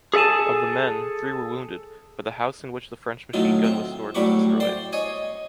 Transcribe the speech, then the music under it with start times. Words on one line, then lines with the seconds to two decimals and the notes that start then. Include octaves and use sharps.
Of the men, three were wounded, but the house in which the French machine gun was stored was destroyed.
0.14 G#4 A4 E5 G#5 A5
3.33 A2 D#3 F#3 D#4 F4
3.64 C4
4.15 A2 F#3 G3 B5 C#6 D6
4.60 C5 D5 G5 C6
4.93 C#5 D#5 G#5